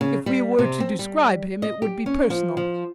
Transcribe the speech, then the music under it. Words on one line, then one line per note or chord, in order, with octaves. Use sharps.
If we were to describe him it would be personal.
C#3
G3
C3
C4
G3
D#5
G4
C#4
F3
F3